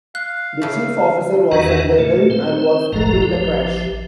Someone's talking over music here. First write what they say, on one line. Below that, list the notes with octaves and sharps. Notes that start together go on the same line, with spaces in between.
The chief officer was at the helm, and was killed in the crash.
F5 F#6
C#3 A3
E2 D#3 E3 D4 F#4 F#5
A#2 A3
C4 C5
F#1 B1 F#2 A2 F3 A#5
A1 F3 G4